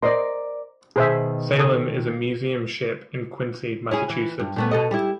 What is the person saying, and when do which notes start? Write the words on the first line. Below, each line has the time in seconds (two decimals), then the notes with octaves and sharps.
"Salem" is a museum ship in Quincy, Massachusetts.
0.03 A#4 C5 D5 D#5 C6
0.96 B2 D#3 G#4 C5 E5
1.59 A4 C#5 D#6
3.91 C#4 E4 G#4
4.10 E3
4.39 G2
4.56 A#2 A3 B3
4.71 B2 A4 D#5
4.91 G3 E4